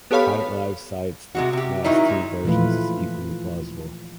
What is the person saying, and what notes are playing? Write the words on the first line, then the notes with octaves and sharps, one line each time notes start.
Tite-Live cites the last two versions as equally plausible.
B3 G4 A4 C#5 F5 B5
C3 G#3 F#4
C3 G4
D#3 F#3 D#4 E4
G#3
A#2 E3 F3 A3 F4 B4